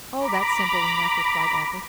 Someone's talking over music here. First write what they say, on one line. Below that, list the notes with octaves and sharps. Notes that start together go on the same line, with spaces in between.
"Oh, that's simple enough!" replied Athos.
A#5 B5 D6